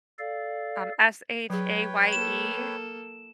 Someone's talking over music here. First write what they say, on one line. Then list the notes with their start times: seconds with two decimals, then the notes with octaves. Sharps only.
Um, S-H-A-Y-E,
0.19 A4 D5 F5
1.50 F#3 G#4 B4 C#5 G5
2.13 A#3 A4 E7